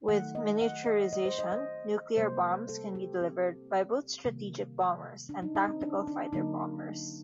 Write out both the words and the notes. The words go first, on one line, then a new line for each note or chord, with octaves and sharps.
With miniaturization, nuclear bombs can be delivered by both strategic bombers and tactical fighter-bombers.
D#3 F#3 A3 F#5
D#5
F#5
D#5
D#5
C5
D#5
D#5
C3 G3 A#3 C5
A4
G4
C4
C3 D#3 G3 A#3
D4
D#4
D#4
C4
D4
D4
D3 F#3 A#3 D#4